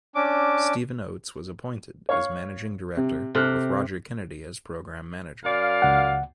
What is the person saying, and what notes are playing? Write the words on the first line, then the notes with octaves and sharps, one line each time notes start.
Stephen Oates was appointed as Managing Director, with Roger Kennedy as Programme Manager.
C#4 D4 D6
C#5 F5 C#6
C3
C3 A4 F6 F#6
F#2 D5 F5
C#2 F#5